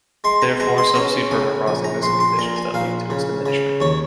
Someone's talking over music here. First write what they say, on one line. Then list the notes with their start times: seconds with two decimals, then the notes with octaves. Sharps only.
Therefore, subsea permafrost exists in conditions that lead to its diminishment.
0.24 G#3 C6
0.42 A#5
0.60 G#3 A#5
0.78 C6
0.95 C#4 A#5
1.31 C#3 G#5
1.66 A#1 G#5
1.84 A#5
2.03 A#1 C6
2.20 C6
2.38 A#2 A#5
2.56 G#5
2.74 A#1 F5
3.10 C#3
3.46 C#3
3.80 D#2 C#5